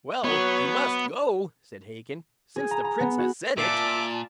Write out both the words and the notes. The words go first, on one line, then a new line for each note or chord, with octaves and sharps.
'Well, you must go', said Hacon, 'since the Prince has said it.
F#3 B3 B4 C#5
G#4
A#5
A#5
B3
F#4
A#2 F4 D5 E5 A5 D6